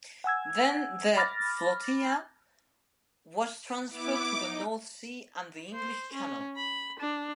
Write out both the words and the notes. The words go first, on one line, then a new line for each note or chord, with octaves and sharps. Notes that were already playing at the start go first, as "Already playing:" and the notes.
Then the flotilla was transferred to the North Sea and the English Channel.
F#5 G#5 E6 G#6
B5 D6 F6 A6 A#6
B3 E4 D6
D#4
C5
C#4
B5
D4